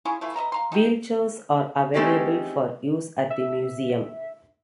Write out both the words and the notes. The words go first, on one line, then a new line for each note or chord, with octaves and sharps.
Wheelchairs are available for use at the museum.
C#4 E4 F4 G#4
E3 A3 E4 F4
B4 D#5 E5 A#5
F5 A#5 C6
D#4 A4 F#5 G5
A3 C4 C#4 D#4 G4 G#4
E5